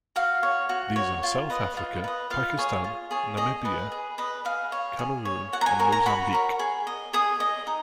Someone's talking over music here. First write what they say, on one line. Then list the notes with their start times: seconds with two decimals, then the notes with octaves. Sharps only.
These are South Africa, Pakistan, Namibia, Cameroon and Mozambique.
0.16 F#4 F5
0.43 C#5
0.69 F#4
0.96 C#5
1.23 F4
1.50 B4 D#5
1.77 F4
2.04 B4 D#5
2.30 F4 F5
2.57 G#4 C#5
2.84 F4
3.11 G#4 C#5
3.37 G#4 D#5
3.65 B4 D#5
3.92 G#4
4.18 B4 D#5
4.45 G#4 F5
4.72 C#5
4.99 G#4
5.25 C#5
5.53 F#4 F#5
5.61 A#5
5.66 G#5
5.79 A#4 C#5 G#5
5.92 A#5
6.06 F#4 B5
6.33 A#4 C#5
6.59 G#4
6.87 D#5
7.13 G#4 D#6
7.40 D#5
7.67 D#4